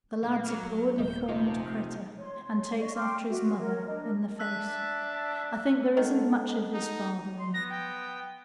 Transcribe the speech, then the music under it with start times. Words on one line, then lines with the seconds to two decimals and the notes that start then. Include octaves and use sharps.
The lad's a poor deformed creatur, and takes after his mother in the face; I think there isn't much of his father in him.
0.23 A#1 A#3
0.47 F#3
0.98 D#1 G#2 C3 D#3 G6
1.29 C3 F3 G#3 D#4 F4
2.17 C#5 C6
2.80 D5 D#5 C#6
2.95 G5 C6 D6 F6
3.29 F#4 E5
3.58 A#4 C#5 F#5
3.86 D4 A#4 D#5
4.39 D4 E5 A5 E6 F#6 B6
5.97 D#3 G#3 A4 F#5 A5
6.73 D#4
7.40 C6
7.54 B3 A#6
7.70 G5